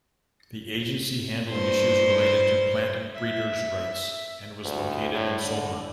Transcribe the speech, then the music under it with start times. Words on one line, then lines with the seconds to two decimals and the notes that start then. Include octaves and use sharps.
The agency handled issues related to plant breeders' rights, and was located in Solna.
1.51 G2 C5
3.15 E5
4.65 D2
5.14 A2
5.44 D3